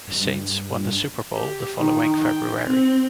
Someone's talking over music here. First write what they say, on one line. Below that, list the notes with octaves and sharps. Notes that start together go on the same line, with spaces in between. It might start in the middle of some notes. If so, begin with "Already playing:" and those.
The Saints won the Super Bowl the following February.
G2
G4
D#3
G5
C4